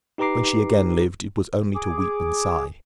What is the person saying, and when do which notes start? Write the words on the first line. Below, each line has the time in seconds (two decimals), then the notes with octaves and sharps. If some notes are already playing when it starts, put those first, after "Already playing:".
When she again lived, it was only to weep and sigh.
0.18 D#4 G4 B4 A#5 D6 C7
1.75 G#4 D6